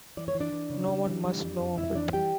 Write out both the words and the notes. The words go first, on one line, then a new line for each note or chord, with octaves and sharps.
No one must know of it.
E3 D5
C#5
E3
D4 D5
E3
C#3
G3
E3
G3
F2
F2
F2 E4 E5
E3 D4 D5
G3 G4 G5